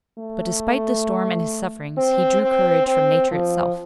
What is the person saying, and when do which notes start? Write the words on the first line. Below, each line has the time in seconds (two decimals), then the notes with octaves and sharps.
But despite the storm and his sufferings, he drew courage from nature itself.
0.18 A3
1.97 C4
2.42 C4
2.87 C4
3.31 F3